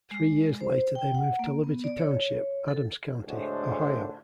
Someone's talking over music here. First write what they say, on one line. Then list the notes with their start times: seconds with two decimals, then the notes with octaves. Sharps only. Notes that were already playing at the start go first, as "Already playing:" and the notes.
Three years later, they moved to Liberty Township, Adams County, Ohio.
0.11 G#3
0.61 C5
0.95 G5
1.15 F#5
1.39 A#3
1.64 B3
1.84 D5
1.98 C#5
2.68 A4
3.27 A2 D3 G#3 D4 F#4 C5